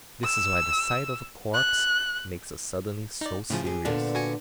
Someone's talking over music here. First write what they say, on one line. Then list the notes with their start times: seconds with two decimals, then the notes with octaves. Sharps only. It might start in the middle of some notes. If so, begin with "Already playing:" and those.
This is why the sight of a corpse makes us suddenly so serious.
0.24 E6
1.54 F#6
3.21 D#4 D5
3.50 A2 C#3 F3 F4 G#4
3.65 G4 G#4
3.85 A#2 D3 B3 D4
4.15 F#4 G#5 C#7